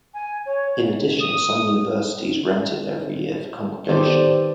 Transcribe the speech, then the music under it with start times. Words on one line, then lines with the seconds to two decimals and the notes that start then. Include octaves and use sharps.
In addition, some universities rent it every year for congregation.
0.14 G#5
0.46 C#5
1.20 D#6
3.89 D#3 B3 G4 A4 C5 D5